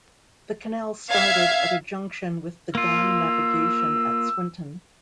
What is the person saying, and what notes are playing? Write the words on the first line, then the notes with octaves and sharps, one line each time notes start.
The canal started at a junction with the Don Navigation at Swinton.
E5 F5 G#6
A#3 F4 E6